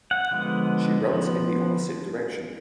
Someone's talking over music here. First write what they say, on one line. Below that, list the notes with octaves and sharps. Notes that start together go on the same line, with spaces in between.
She runs in the opposite direction.
F#5
D3 F3 G#3 B3
F3 B3